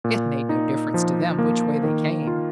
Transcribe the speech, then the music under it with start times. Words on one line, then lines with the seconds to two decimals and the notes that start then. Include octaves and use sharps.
It made no difference to them which way they came.
0.04 A#2
0.49 D#4
0.94 F3
1.39 A#3
1.83 D#3
2.27 F4